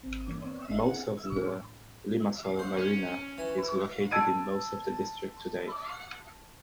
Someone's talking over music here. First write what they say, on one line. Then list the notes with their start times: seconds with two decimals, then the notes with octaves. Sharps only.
Most of the Limassol Marina is located in most of the district today.
0.04 G#1 C4
0.27 G2 E3 A#3 C#4 D4
0.42 B3 C4 C#5 D5
0.70 G1 G#2 D4 G#4 D#5 E5
0.83 C4 D4 E4 G#4
1.32 A2 D4
2.59 C5
2.78 C#4
3.38 E3 G#5
4.11 A5 E6 G#6 D7 D#7